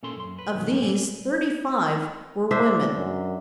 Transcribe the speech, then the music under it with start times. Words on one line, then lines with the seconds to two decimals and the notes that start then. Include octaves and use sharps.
Of these thirty-five were women.
0.03 A#2 C#4 A4 C6
0.17 F#2 C6
0.39 B4
0.55 B1 G2 D#3 F#3
0.70 D#2 G#2 G3 A#3
0.82 A#2 A4 D5 G#5
2.51 D4 C5 E5
2.96 F#2